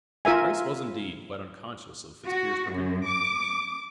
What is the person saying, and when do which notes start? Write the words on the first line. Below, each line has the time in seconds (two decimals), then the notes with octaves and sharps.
Grace was indeed quite unconscious of Fitzpiers's propinquity.
0.25 F4 A#4 E5 G#5
2.27 F#4
2.74 F#2
3.07 D6